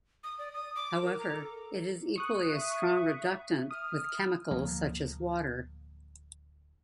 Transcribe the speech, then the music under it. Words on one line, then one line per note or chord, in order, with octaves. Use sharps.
However, it is equally a strong reductant with chemicals such as water.
D#6
D5
D#6
D6
A#4
A#5
A4
C#6 D#6 F#6
E5
D#6 F6
D1 F3 A#3